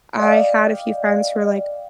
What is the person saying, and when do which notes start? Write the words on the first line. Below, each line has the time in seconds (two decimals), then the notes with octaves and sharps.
I had a few friends who were like,
0.20 D5 D#5 F5 G5